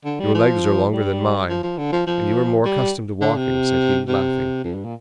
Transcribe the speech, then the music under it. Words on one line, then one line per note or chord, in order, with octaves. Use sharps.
"Your legs are longer than mine, and you are more accustomed to walking," said he, laughing.
D3
G3
F3
G3
F3
F3
D3
F3
F3
G3
D3
C3
C3
F2
G2
A#2